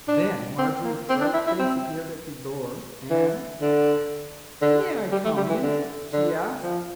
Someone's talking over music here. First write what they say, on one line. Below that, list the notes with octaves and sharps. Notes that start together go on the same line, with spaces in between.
Then Marjorie's bright face appeared at the door, and, "May I come in?" she asked.
D4
C4
A#3
C4
D4
E4
E4
C4
E3
D3
D3
G3
A3
G3
E3
D3
D3
F3